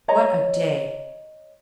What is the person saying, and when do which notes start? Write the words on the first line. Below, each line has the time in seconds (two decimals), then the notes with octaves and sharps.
What a day!
0.08 C#5 D#5 A#5